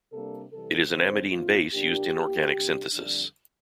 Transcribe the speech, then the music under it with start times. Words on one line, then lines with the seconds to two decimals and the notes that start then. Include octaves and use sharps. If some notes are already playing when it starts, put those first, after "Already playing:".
It is an amidine base used in organic synthesis.
0.12 C3 G3 A#3 D4 A4
0.53 C3 E3 G3 A4
0.92 E2 D3 F3 C4 C5
1.32 F2 D3 A3 C4 F4
1.72 A#2 F3 A#3 D4 G4
2.12 E2 E3 A#3
2.53 C3 G3 D4
2.92 F2 D3 G3 D4